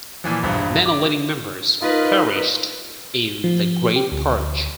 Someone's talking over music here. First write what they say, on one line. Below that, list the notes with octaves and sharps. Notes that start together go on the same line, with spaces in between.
Many leading members perished in the Great Purge.
A#2 E3 F3
E1 A#1 G2
D6
D#4 F4 A#4 B4 D#5
F3
G4
D2